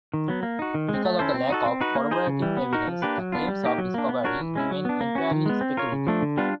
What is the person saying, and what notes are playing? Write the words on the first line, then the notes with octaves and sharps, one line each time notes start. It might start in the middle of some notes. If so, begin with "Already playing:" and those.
Because of the lack of corroborating evidence, the claims of discovery remain entirely speculative.
D#3
F#3 B3
A#3
D#4 F#4
D#3
G#3
C4
A3
C#4 E4 A4 C5
C4
D#4 F#4 A4
C4
D#4 F#4 B4
A#3
D#4 G#4 C5
C#3
E3 G3
B3
D#4 F#4 A#4
F3
A#3 D4 G4 B4
F#3
B3 D4 F4
G3
A#3 D#4 G4
F#3
A#3 D4
B3
D4 F#4 A#4 C#5
E3
G#3 C#4 E4
F#3
B3 D4
A#3
C#4 F#4
D#3
G#3 B3
C4
F4 A#4 C#5
C#3
F3 A3 D4
D3
G3 B3 D4 F4